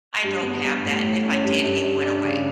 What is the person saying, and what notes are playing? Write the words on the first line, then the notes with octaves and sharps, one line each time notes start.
I don't have that, and if I did, it went away.
G2
B3
G2
A2
A2
C#4
G2
G2
G2
D4
C#3